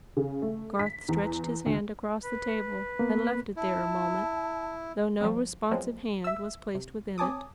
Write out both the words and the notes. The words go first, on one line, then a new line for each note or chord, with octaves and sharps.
Garth stretched his hand across the table, and left it there a moment; though no responsive hand was placed within it.
C#3
A3
B6
E2
D2
B4
A#3 B3
E4 A5
F3 G3 C4
F3 F#3 G#3 B3 C4
E5 E6
C3
C4 C#5 G#5 A5 D6 D#6